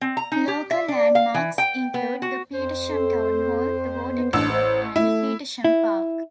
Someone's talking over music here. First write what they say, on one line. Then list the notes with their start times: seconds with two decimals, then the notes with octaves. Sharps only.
Local landmarks include the Petersham Town Hall, the water tower and Petersham Park.
0.01 C4
0.17 A#5
0.32 D#4
0.48 G4
0.71 E5
0.88 D4
1.15 F5
1.34 E3
1.58 G5
1.94 B3
2.22 F#4
2.52 F2 C5
2.88 A4
4.09 B3
4.33 A1 D4 E6
4.52 C5
4.96 A3 E4
5.65 E4